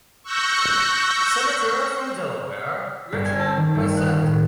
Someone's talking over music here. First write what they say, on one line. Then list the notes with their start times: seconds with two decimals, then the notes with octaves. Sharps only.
Senator from Delaware, Richard Bassett.
0.23 C#6 E6 F#6 G6 A#6 C#7
3.12 G1
3.25 G#5
3.40 A5
3.57 D#3
3.75 G1
3.97 F#6
4.22 A2